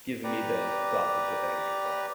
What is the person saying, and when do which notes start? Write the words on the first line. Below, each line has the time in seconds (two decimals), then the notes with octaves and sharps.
given me the thought to put that in my car.
0.24 G4 B4 D5 A#5